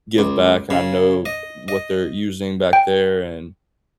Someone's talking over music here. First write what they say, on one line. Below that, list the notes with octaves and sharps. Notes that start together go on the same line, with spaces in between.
give back, and I know what they're using back there, and
C#2
C#3
D#5
D#5
G5